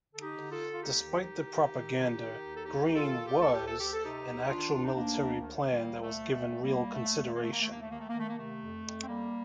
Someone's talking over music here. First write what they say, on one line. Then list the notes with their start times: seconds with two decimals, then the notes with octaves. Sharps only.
Despite the propaganda, Green "was" an actual military plan that was given real consideration.
0.13 D3 A4
0.21 D#4 G4
0.37 D3
0.52 F4 A4
0.60 D3
0.72 F4
0.82 D#2 D#4 G4
1.05 D#3
1.29 D#3
1.51 D#3
1.74 D#3
1.97 D#3
2.20 D#3
2.43 D#2
2.56 A4
2.65 D2 D#4 G4
2.89 D#3
2.96 F4 A4
3.12 D#3
3.26 G4
3.34 D2
3.40 A4
3.53 D2 G4
3.66 A4
3.79 D2 G4
3.93 A4
4.03 C3 D#4 G4
4.26 D2
4.49 D#3 D4 F4
4.72 D2 F4
4.85 D#4
4.95 D2 A#3 D4
5.17 D2
5.40 D#3
5.63 D#3
5.71 G3 A#3
5.86 D2
6.02 A3
6.09 D2
6.28 G3
6.32 D#3 A3
6.55 D#2
6.62 G3 A#3
6.78 D#2
6.93 A3
7.01 D#2
7.24 D#3 A3
7.33 A#3
7.43 D#3 A3
7.52 A#3
7.62 A3
7.70 D#2 A#3
7.81 A3
7.90 D#3 A#3
8.00 A3
8.09 A#3
8.16 D#3 A3
8.28 A#3
8.37 C3 A3
8.61 F2
8.84 F2
9.02 C4
9.07 F2 G3 A#3